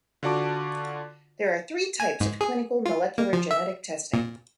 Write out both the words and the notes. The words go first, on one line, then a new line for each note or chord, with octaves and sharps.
There are three types of clinical molecular genetic testing.
D3 F4 F#4 D5 A5 D6
G#5
G#2
G#4
F4
A#3
F3
E5
A#2